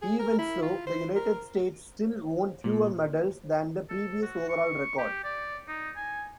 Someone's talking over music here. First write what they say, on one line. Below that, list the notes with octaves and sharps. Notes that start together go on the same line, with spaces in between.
Even so, the United States still won fewer medals than the previous overall record.
G#4
A#4
E4
F4
C5
A#4
A#2
A4
F#4
C#6
G4
D5
D#4
G#5